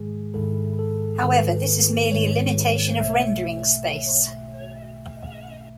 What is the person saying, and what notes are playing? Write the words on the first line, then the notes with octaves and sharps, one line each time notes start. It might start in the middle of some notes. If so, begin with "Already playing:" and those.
However, this is merely a limitation of rendering space.
Already playing: G#2 D#3 G#3 G#4
G#2 D#3 G#3 A4
A4
G#2 D#3 G#3 B4
G#2 D#3 G#3 C#5
B1 B2 A3 E5